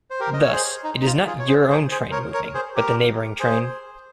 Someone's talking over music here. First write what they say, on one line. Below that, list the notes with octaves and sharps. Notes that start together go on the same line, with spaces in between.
Thus, it is not your own train moving, but the neighboring train.
C5
G4 A#4
D#5
C#5
G#4 C5
D#4
D#4
F4
F4 G#4
C#5
G#4 C5
G#4 C5
G#4 C5
A#4 C#5
A#4 C#5
G#4 C5
G4 A#4
G#4 C5